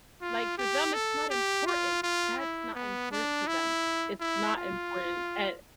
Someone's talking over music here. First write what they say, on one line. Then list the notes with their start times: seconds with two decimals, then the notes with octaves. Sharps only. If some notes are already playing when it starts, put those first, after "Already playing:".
like for them it's not important, that's not important to them. It's not important a
0.22 F4
0.58 G4
0.94 A4
1.30 G4
1.66 F4
2.03 F4
2.39 E4
2.75 B3
3.12 D4
3.48 E4
4.21 E4
4.57 F4